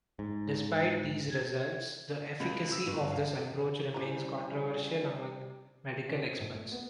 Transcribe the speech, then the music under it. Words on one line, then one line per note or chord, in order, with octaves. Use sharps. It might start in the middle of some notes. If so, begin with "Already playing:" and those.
Despite these results, the efficacy of this approach remains controversial among medical experts.
G#2
G#6
C#2
E6
G1
F5
C3
G3 C#4 E4 G4 G#4 C5 A#5
C#4
C4
A#1
A3
B3